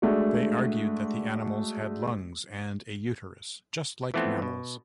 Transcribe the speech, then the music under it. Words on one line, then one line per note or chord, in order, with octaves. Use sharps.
They argued that the animals had lungs and a uterus, just like mammals.
G#3 A3 D4 F#4
E3 F3 A3 B3 C4
B2